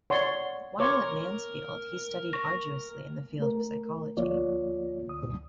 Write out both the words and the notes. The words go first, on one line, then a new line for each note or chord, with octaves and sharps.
While at Mansfield he studied arduously in the field of psychology.
C#5 D5 F#5 C6
A#4 C#5 A#5 C6 D6
C#6 A#6
A3 A#4
D2 F3 A#3 F4 C#5 D5
D2 D#6